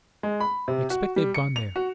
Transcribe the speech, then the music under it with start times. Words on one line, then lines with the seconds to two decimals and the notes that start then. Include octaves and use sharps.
I expect they've gone there.
0.23 G#3
0.40 B5
0.68 C3
0.90 F#4
1.16 G3
1.34 C#7
1.56 F7
1.76 F#4